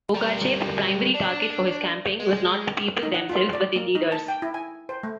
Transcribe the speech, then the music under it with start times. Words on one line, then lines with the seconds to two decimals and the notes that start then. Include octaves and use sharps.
Pugachev's primary target for his campaign was not the people themselves, but their leaders.
0.14 G3 A#4
1.15 D4
2.20 G#3
3.03 D#4
3.14 F#5
3.30 F4
3.53 D5
3.76 A#3
3.95 D#4
4.12 A5
4.28 G5
4.42 E4
4.54 G#5
4.89 C5
5.03 A3